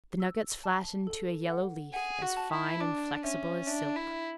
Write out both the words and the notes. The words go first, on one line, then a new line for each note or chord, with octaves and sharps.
The nuggets flattened to a yellow leaf as fine and flexible as silk.
E6
A5
A4
F#5
G#4 F#5
F#4
A5
E4
D4 D6
C#4 E5
D4 E5
E4
E5